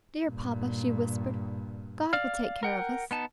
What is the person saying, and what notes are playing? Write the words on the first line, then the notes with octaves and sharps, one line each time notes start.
"Dear papa," she whispered, "God will take care of us."
G2 A#2
D5 F5 F6
A#4 F#5 G5
B3 D#4 A5